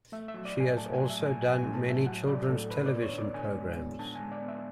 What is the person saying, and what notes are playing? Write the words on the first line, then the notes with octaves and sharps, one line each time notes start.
She has also done many children's television programs.
A3 E5
E5
F#3
D5
A2 G#5
A3 A5
G#5
F#3
E5
A2
G#5
F#3 G#5
A2 G#5
A5
F#3
E5
F#3 F#5
F#3 D5
A2 A4
D3 B4
D5
B3
C#5
D3
D5
D3 G#5
G#3
B3
D3 A5
G#3 G#5
D5
B3
E5